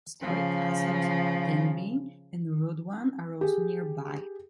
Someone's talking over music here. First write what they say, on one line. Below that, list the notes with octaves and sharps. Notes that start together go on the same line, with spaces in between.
The historic castles of Denbigh and Rhuddlan are also nearby.
C#3 F3
G4 G#4